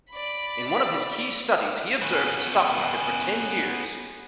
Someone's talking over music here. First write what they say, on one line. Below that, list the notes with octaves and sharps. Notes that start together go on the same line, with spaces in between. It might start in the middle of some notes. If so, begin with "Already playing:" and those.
In one of his key studies, he observed the stock market for ten years.
D5 B5
B3 C#4